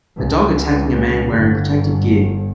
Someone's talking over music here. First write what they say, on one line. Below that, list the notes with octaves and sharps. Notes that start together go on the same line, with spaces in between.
A dog attacking a man wearing protective gear.
C#2
G1